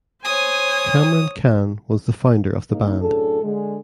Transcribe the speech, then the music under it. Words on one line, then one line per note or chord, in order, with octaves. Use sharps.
Kamran Khan was the founder of the band.
C5 C#5 G#5 D#6
C#3 A#3 D#4
F#2 A2 D4 G#4 A4
D3 G#3